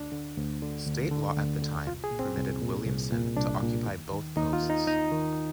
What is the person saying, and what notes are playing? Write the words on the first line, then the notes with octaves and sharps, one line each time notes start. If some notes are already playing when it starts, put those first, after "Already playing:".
State law at the time permitted Williamson to occupy both posts.
Already playing: D2 D4
D3
D2
D3
D2
D3
D2
D3
C2 F4
G#4
A#2
C4
C2
A#2
C2
A#2
C2 D4
A#2
D#2
D#3
D#2 D#4
F4
D#3
D#4
D#2 D#4
D#3